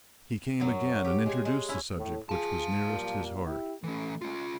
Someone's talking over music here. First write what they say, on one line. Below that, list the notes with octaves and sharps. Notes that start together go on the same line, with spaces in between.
He came again, and introduced the subject which was nearest his heart.
F#2 F#3
G4
G#3 G#5
G#3
C#4 E4
A2
F4 G#4 F5 A5
A#2 G3 A#3
E4 G4
E3 A3 C#4
C#4 F4